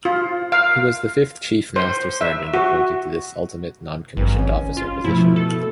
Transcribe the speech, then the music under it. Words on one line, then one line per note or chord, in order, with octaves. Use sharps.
He was the fifth chief master sergeant appointed to this ultimate noncommissioned officer position.
F4
F5
C5
E5
F#4
G#1 G2
C#4
F4
B2 F3 A3 E4
A4